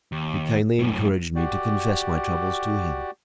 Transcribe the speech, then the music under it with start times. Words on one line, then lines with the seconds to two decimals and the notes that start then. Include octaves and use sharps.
He kindly encouraged me to confess my troubles to him.
0.12 D#2
0.79 F#2 A2
1.36 F#4 G4 D5